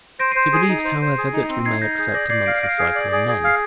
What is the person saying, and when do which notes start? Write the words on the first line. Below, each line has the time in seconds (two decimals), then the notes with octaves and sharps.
He believes, however, that we may accept a monthly cycle in men.
0.20 C5 A#6 D7
0.32 C5 C7 D#7
0.53 G#4 C7 D#7
0.69 D#4
0.84 C5
1.02 C5
1.18 G#4
1.33 D#4
1.49 C4
1.65 D#4 G#6 C7
1.82 D#4 G6 A#6
1.98 G#4 G6
2.14 D5 G6 A#6
2.30 D5 G#6 C7
2.46 F5 A#6 D7
2.63 F5 A#6 D7
2.78 G#4
2.95 D5
3.12 G#4
3.28 G#4
3.44 F5